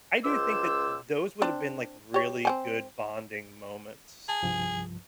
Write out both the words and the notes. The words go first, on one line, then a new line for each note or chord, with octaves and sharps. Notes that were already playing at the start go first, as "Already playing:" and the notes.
I do think that those would have been, like, really good bonding moments.
C#2 C5 D6 E6
C4 D4
G4 C#5
C4 G5 G#5
G#4 A5
C2 G2 F3